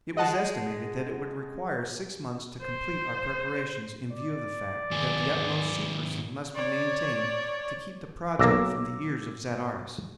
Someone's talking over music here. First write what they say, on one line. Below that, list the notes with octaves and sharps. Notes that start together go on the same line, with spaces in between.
It was estimated that it would require six months to complete our preparations in view of the fact that the utmost secrecy must be maintained to keep the project from the ears of Zat Arras.
G#3 D#5 F#5 A5
C5
D5
D#2 G#4
C#5 D5
B1 A#3 D6 E6 A#6